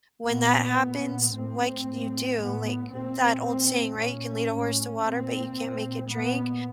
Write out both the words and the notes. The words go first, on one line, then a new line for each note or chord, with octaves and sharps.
when that happens, what could you do? Like, that old saying, right, "You can lead a horse to water, but you can't make it drink."
A#2 B3
A#2
A2 C4
A2
A2 B3
A#2 C4
A#2 C4
A#2 C#4
A2
A#2 C4
A#2
A#2 B3